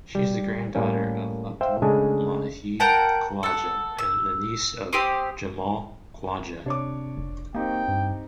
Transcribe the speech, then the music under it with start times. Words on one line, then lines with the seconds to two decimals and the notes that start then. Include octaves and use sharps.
She is the granddaughter of Abdul Majeed Khwaja and the niece of Jamal Khwaja.
0.15 G3
0.75 A2 G3 A#3 C#4
1.61 C5 E5 F5 G5
1.82 C#3 G#3 A3 D4 A4 G#5
2.80 A#4 F#5 G5 A5
3.43 A4 F#5
3.99 E6
4.93 C4 G4 C6 D#6
6.66 C3 D4 C#5 D6
7.18 F1
7.55 A#3 C4 D#4 G4 G5
7.88 G2